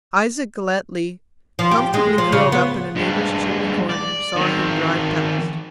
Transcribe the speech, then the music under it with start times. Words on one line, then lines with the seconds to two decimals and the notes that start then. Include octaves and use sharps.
Isaac Galletly, comfortably curled up in a neighbour's chimney corner, saw him drive past.
1.59 F3
1.71 G4
1.94 G#3
2.18 F3
2.32 C#3
2.52 B3
2.96 G2 G#3
3.90 D5
4.36 D#3 C4